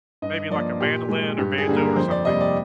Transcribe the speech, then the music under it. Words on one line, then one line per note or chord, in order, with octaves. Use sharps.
maybe, like, a mandolin or banjo or something.
G2 D#5
F3 A#3 D5
A#2 G4
G#3
G2 G4
G#4
D3 G3 A#3
A#4
F2 C5
D5
C3 G3 A#3 D#5
D5